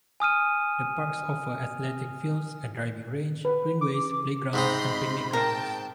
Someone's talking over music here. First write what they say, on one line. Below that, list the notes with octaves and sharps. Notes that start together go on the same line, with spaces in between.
The parks offer athletic fields, a driving range, greenways, playgrounds and picnic grounds.
G#5 D#6 F6 D#7
B4
D6
G#2 C3 D#4 D#5 B5 C6
A#4 G5 A5